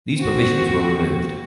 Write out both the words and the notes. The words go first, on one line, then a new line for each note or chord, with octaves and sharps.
These provisions were removed.
C4 F#4